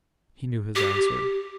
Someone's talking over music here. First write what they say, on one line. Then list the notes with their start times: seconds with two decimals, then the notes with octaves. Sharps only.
He knew his answer.
0.75 G4